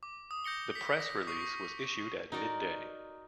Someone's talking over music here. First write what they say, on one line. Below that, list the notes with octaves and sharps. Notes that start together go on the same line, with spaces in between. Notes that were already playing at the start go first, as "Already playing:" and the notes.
The press release was issued at midday.
D6
D#6
G6 A#6 C#7 G7
B6
A#6
C#6 D#6 C7
D#4 F#4 A#4 D5